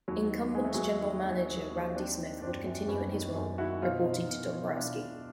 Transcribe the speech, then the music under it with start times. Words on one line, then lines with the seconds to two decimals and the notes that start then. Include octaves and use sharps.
Incumbent general manager Randy Smith would continue in his role, reporting to Dombrowski.
0.08 D#2 F#3
0.31 D#3
0.54 D#3 G#3
0.64 A3
0.73 D#2 F#3 G#3
1.01 D#2
1.25 D#2
1.48 D#2
1.71 D#2
1.94 D#3 C4 D4
2.18 D#3
2.41 F#2 C4 D4
2.65 F#2
2.88 F#2 B3 C#4
3.11 D#3
3.35 F#2
3.58 D#3 E4 F#4
3.82 B2 D#4 F4
4.05 B2
4.29 B2
4.52 B2
4.75 B2 D4 E4
4.99 B2